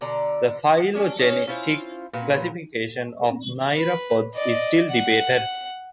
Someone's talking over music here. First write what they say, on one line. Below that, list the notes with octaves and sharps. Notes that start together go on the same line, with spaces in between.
The phylogenetic classification of myriapods is still debated.
B2 D3 D5 A#5
F#5
C#4 D4 G#4
C#4 D#4 C#5
C#4 E4 F4 C5
A#2 F#4 B4
B4
D5 D#5
F#5